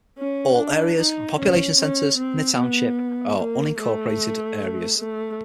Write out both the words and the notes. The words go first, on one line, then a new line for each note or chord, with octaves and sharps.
All areas and population centers in the township are unincorporated areas.
C#4
D4
D#4
C#4
C#4
C4
B3
A#3
A3
A3